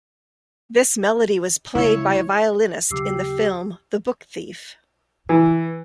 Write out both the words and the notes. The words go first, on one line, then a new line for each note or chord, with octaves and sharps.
This melody was played by a violinist in the film "The Book Thief".
C#2 E4 C#5 E5
D#2 C#3 F#3 G4 D6 E6 C7
E3